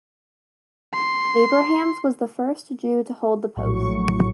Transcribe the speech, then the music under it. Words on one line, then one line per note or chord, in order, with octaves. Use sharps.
Abrahams was the first Jew to hold the post.
C6
A#1 A2 F#3 C#6